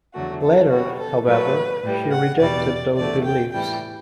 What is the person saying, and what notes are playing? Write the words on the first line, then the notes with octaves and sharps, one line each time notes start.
Later, however, she rejected those beliefs.
E2 D3 F#3 A3 F#4
A4
B2 G3 F#4
A4
A2 F#3 A3 B4
A2 G3
F#5
E2 B2 G3 D5
E2 D3 A3 D5
G5
A2 E3 G3 G5